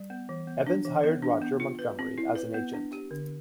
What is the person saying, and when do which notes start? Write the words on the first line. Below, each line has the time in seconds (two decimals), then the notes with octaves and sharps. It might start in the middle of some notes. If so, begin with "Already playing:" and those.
Evans hired Roger Montgomery as an agent.
Already playing: G3
0.10 B3
0.29 E3
0.47 B3
0.67 D4
0.85 E3
1.04 B3
1.22 D4
1.42 B3
1.60 F4
1.79 B4
1.99 C4
2.18 E4
2.35 B4
2.54 B3
2.74 D4
2.93 G4
3.11 D3